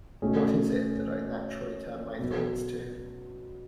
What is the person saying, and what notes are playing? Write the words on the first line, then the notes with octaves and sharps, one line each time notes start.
What is it that I naturally turn my thoughts to?
B2 A3 C#4 G#4
B2 F#3 B3